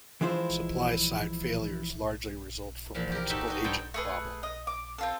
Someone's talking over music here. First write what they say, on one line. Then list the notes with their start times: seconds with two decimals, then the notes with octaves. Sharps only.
Supply-side failures largely result from principal-agent problem.
0.21 E3 F3 G#3 E4 F4 C5
2.95 E2 A#2 F3
3.12 G4 A#4
3.30 D#4 F#4 G4 A4 E5
3.48 D#4 F#4
3.64 G2 E4 A4 C5 G5
3.94 A3 G#4 B4
4.43 D#5
4.67 D6
4.98 C4 F4 A4